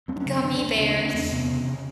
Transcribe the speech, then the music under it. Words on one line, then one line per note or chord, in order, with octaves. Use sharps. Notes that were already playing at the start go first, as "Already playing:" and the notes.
Gummy bears,
F#2 C4
D4
C#4
C#3
C4
D3 D4
D2
C#3 C#4
D4
D2 C#4
D4
E2 C4
C3 B3
C#3
C#3